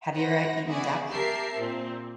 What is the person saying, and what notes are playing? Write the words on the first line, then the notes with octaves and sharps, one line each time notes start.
Have you ever eaten duck?
C5 F#5 B5 A#6
B3 E4 F#4 G#4 D5
G4 A#4 E5 A5 C7
A#2 C4